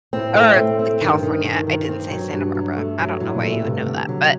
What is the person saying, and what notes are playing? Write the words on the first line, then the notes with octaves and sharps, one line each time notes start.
or C California, I didn't say Santa Barbara, I don't know why you would know that, but
A2 C4
A3
C4
C4
G2 D#3
D#3
D#3
D#3
C4
F#3
G2 F#3
F#3
A3
F#3
A2 F#3
A#2
A3
A2
G2 C3
D3
F#3